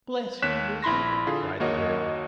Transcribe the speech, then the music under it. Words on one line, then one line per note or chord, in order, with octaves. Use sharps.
"Bless you, Lizard," cried the girl.
D#2 C#5 F#6 B6 E7
A#1 E4 B5 C6 A#6
D3 F4 G#4
D#2 A#3 F#4 C#5 D#5